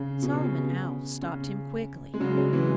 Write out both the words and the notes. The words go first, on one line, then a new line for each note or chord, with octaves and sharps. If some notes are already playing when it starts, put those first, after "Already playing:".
Solomon Owl stopped him quickly.
Already playing: C#3
B2
C#3
B2
C#3
G#3
C#3 F#3
C#3 F#3
E3 G#3